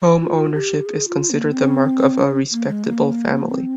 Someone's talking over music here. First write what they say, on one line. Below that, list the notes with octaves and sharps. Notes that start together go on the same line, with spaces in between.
Home ownership is considered the mark of a "respectable" family.
F4
G4
G#4
F4
A#3
C4
C#4
A#3
G#3
A#3
C4